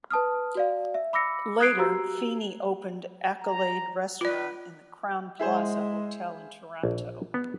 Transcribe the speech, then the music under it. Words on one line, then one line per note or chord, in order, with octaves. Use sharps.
Later, Feenie opened Accolade Restaurant in the Crowne Plaza Hotel in Toronto.
B4 A5 D#6 F6
F#4 D5 F5
E5
B5 D6 E6 A#6 C#7
D#6 F#6 G#6 C7 D7
F#4 G4 A#5 E6
A#5
F4 B4 D5
G#3 E4 G#4 C5
A#1
B3